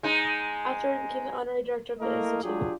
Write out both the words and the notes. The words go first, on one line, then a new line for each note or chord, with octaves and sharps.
Afterward he became the honorary director of the institute.
G#3 D#4
A3 A#3 E4 A#4 D#5
F#3 D4 F4 G4 G#4